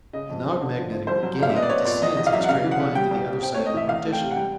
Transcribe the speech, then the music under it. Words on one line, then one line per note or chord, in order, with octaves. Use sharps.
The non-magnetic gangue descends in a straight line to the other side of the partition.
C#3 D#5
F2
C#3
D3
F3
F3
C2 C5
F#3
A#2 F5
E5
B3 D#5
D5
B3 C#5
A#2 D5
E2 D#5
E2 D#5
F5
F#3 E5
F#5
C#3 F5
E3
F#5
C#3
G3 G5
C2
G3
C4 G5
A3 C#5
D#5
E3 E5
E2 F5
A3
G5
C3
F#5
G3 G5